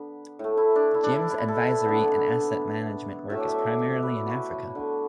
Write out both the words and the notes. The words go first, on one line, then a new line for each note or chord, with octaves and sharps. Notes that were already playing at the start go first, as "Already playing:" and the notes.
Jim's advisory and asset management work is primarily in Africa.
Already playing: D3 B3 B4
A2 A3
E4
D4
E4
D4
E4
E4
A4
B4
D3 B3
A2 F#3 A3 E5
D5
E5
D5
D5 E5
B4
E4
F#4
E4
D3 B3